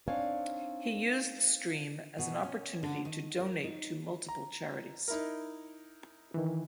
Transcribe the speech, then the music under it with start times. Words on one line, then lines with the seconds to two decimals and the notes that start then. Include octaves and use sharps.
He used the stream as an opportunity to donate to multiple charities.
0.08 C4 D4 D#4 C#5 F5 G#5
2.18 B2
2.43 C#4
2.83 D3
3.05 D#3
3.40 A#4
3.64 D#4
4.29 A#5
5.08 D#4 E4 A#4
6.34 D#3 E3